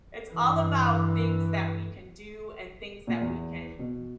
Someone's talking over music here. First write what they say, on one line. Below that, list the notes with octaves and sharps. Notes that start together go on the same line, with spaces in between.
it's all about things that we can do and things that we can g
G2 E3
A#2
E2
B2